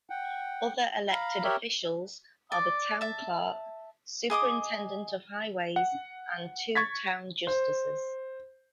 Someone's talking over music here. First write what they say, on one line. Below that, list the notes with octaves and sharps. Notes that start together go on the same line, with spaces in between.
Other elected officials are the Town Clerk, Superintendent of Highways and two Town Justices.
F#5 G5
F5 A#5 B5
G4 A#4 C#5 E5
D5
E5 A5
G#4 D#5 D6 D#6
F#5
C#6 G#6 A6 B6
C5